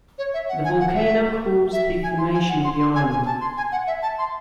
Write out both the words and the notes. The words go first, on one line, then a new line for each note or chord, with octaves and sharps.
The volcano caused the formation of the island.
C#5
E5
F#5
G#5
F#5
E5
E5
G#5
C6
G#5
F#5
C6
C6
G#5
G#5
A5
C6
G#5
F#5
E5
A5
C6